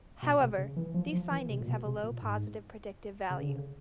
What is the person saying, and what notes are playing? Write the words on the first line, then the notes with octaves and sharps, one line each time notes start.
However, these findings have a low positive predictive value.
B2
C3
C#3
E3
F3
F3
E3
C3
A#2
B2
C3
A#2
G#2
C#3
D3
C#3